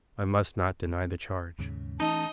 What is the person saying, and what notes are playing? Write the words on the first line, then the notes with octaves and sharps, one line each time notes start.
"I must not deny the charge."
D#2 G#2 C#3
E3 A3 C#4 D#4 D#5 A5